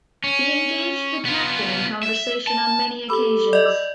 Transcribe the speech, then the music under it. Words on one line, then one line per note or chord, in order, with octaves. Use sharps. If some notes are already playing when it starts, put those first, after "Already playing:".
He engaged the captain in conversation on many occasions.
C#4
B3 F4
E5
A5
G4 A4 B5
D5 D#5